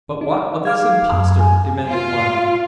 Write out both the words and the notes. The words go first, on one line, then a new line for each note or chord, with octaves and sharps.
"But what of this impostor?" demanded one.
D#4
F5 D6 F6 G#6
F#2
G#5
F4